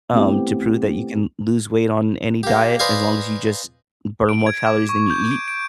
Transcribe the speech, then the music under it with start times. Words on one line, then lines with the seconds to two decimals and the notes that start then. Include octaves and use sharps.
um, to prove that you can lose weight on any diet as long as you just burn more calories than you eat.
0.13 A3 B3 C4 E4 G4
2.43 A#3 G4
2.79 B4 C5 D5 D#5 F5 G#5
4.29 D7
4.47 G#6
4.66 D6
4.89 C#6
5.10 G6
5.31 D7
5.48 D7